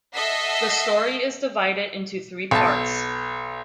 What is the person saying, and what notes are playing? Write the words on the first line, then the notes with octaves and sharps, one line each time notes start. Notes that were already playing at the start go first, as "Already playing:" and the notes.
The story is divided into three parts.
A4 D#5 E5 F#5 B6 C7
B1 A5